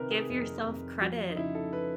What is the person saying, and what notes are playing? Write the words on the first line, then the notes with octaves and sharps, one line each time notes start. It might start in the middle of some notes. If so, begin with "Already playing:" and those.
Give yourself credit,
Already playing: C3 D#3 A#4 B4
G#4
F2
F2
F3 F#4
D#4
C#3 E4
A4
B4